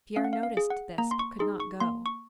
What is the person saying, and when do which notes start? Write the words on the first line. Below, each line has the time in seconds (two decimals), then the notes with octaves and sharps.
Pierre noticed this but could not go.
0.16 C#4 F5
0.24 F#5
0.33 F5
0.43 F5
0.57 G#4
0.70 F#5
0.98 A#3 A#5
1.11 C6
1.19 C#6
1.39 D#4 G#4 C6
1.60 C#6
1.80 A#3 C6
2.06 C#6